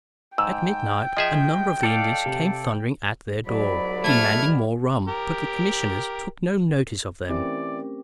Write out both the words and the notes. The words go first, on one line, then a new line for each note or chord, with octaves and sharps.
At midnight, a number of the Indians came thundering at their door, demanding more rum; but the commissioners took no notice of them.
G#2 G5 E6
F3 G#4 D#5 E5
A4 D5 F5
C3
C2 G#2 F#3 D5 B5
A3 F6 G#6
G4 A#4
E3 A3 C4 C#4 G4 A#4 D5